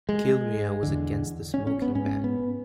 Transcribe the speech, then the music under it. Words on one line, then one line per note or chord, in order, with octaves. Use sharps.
Kilrea was against the smoking ban.
G#3
E2 D3
C#4
C#4
B3
G#2 C#4
B3